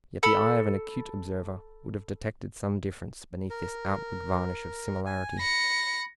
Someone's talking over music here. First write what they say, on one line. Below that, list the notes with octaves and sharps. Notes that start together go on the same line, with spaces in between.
Yet the eye of an acute observer would have detected some difference beneath this outward varnish of similarity.
A4 B5 E6
A#4
G#5
B5 A#6 C#7